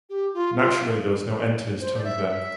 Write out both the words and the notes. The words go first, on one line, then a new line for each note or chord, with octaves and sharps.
Naturally there was no end to his tongue then.
G4
F4
F4
C5
D5
E5
E5